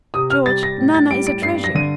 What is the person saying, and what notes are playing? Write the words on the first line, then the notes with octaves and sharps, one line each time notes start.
"George, Nana is a treasure."
C3 D#6
F6
G3 A6
A#6
A2
A6
G3 D7
D7
G2 C7
A#6
D3 D#7